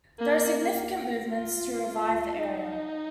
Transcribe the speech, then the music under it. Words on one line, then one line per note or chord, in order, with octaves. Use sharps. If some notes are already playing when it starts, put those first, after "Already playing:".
There are significant movements to revive the area.
A#3
F4
F4
D#4